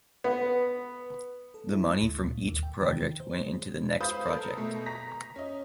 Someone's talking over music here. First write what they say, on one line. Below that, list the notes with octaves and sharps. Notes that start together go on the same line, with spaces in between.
The money from each project went into the next project.
B3
A4
E4
G#3
D2
A#2
D#2
G5
D#3
C5
G#3
B4 C5 F5 B5 D#6 G6
A4 A#4
B2 A3
A#5 A#6 B6
C#4 D#5